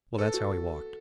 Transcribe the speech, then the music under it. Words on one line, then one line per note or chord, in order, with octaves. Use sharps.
Well, that's how he walked.
A4 B4
F#4